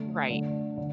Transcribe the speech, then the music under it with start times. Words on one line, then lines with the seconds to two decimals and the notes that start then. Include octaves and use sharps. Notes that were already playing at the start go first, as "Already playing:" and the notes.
You're right.
Already playing: D3 A3
0.30 D3 A3
0.77 D3